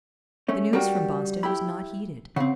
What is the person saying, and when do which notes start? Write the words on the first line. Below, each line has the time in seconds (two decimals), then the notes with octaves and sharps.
The news from Boston was not heeded.
0.48 A3 C#4
0.73 G3 F#4 A#4 G5
1.43 E4 G4 B5
2.36 C#3 C4 F#5